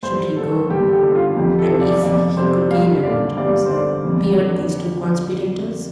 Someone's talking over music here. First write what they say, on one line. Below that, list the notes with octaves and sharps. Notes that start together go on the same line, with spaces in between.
Should he go and--if he could gain admittance--beard these two conspirators?
G2 C5
D3 A4
G2 G4
A4
G4
D3
F4
F2 G4
A4
C3
D5
F2 D5
C3 C5
G2 F5
D3 D5
G2 D5
C5
D3 D5
F2
D3